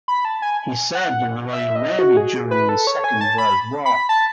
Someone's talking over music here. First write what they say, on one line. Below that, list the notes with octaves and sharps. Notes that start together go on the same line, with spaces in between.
He served in the Royal Navy during the Second World War.
B5
A5
G#5
F#5
E5
D#5
F#4
G#4
B4
A4
C#5
G#5
A5
B5
B5
A5